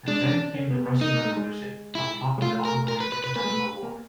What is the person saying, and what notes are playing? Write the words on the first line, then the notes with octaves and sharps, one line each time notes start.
And then came the Russian Revolution, on top of the ongoing international War.
G#3 D4
C#4
D4
C#4
B3
B3
A#3 D#4
A#3
A3
G#3
E4
G#3
A3 F4
A#4
A#4
B4
B4
B4
A#3 B4
G#3
A3
A#3